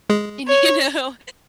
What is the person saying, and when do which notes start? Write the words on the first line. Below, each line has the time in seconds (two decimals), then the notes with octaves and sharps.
y you know
0.10 G#3 G#4
0.47 C#5